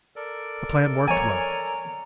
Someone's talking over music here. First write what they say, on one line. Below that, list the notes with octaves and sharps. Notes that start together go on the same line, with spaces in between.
The plan worked well.
A4 A#4 D5
C#5 G#5 A#5